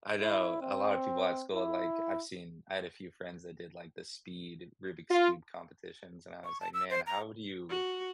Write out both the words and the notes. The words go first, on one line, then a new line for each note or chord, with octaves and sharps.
I know. A lotta people at school, like, I've seen I had a few friends that did, like, the speed Rubik's Cube competitions, and I was like, "Man, how would you
E4
C4
E4
F4
C#6
A5
E6
C5
A#5
F#4